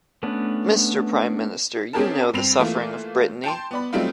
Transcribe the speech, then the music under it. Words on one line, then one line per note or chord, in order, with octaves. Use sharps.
Mister Prime Minister, you know the suffering of Brittany.
A3 B3 C#4 D4 B4
C4 C#4 G4 G#4 A#4 A5
G2 C4 C7 F7
E3 A3 A#3 F4
G5 A5 C6
B3 D5 B5
F#3 G3 A3 C4 D#4 F4